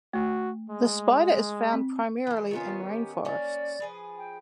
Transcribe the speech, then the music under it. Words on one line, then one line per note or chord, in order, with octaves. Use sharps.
The spider is found primarily in rainforests.
A3 F#4
G#3
C4
E3 C5
D#3 B3 C#4 F4
G4
A#3 C#4 D5
F3 G#4 B4
G5